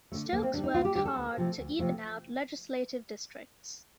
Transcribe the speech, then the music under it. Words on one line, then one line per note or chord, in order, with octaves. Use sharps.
Stokes worked hard to even out legislative districts.
D3 A3
D2 A#3
C4
D3 G3 D4
D#4
D2 F4
G4
D3 G3 G4
A4
D2
C3 F3 A3
D2
C3 F3 A3